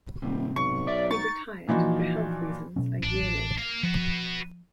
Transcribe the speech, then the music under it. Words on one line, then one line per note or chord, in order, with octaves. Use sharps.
He retired for health reasons a year later.
D#1 G#2 C3
B1 C#6
F#3 D5 E5
D#4 C#6 A6
A#2 E3 F3 D#4 F#4
B2 F#3 C#4
A1 D4
A#3 F5
F3 B3 F#4